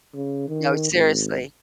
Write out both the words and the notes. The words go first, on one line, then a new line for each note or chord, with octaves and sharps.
No, seriously.
C#3
D#3
G#1